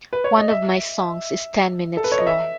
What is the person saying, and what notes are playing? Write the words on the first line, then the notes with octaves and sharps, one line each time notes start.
One of my songs is ten minutes long.
B4
C#5
D#5
E5
A4
B4
C#5
D#5
E5